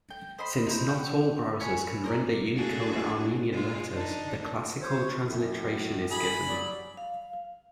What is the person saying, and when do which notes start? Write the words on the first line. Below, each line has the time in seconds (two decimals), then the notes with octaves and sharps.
"Since not all browsers can render Unicode Armenian letters, the classical transliteration" is given.
0.10 G5
0.39 C5 D#5 B5 C6
0.67 D#4 E4 C5
0.88 F#5 G5
1.60 C#5 G#5 B5 C#6
2.04 A#4 C5 D5
2.55 A3 A#3 D4 F#4 G#4 A4
3.50 B2 G#3 F4
3.95 D4 D#4
4.82 C5 C#5
5.19 F#2 A2
6.11 G#4 B5
6.49 F#3 G3 D5
6.97 F5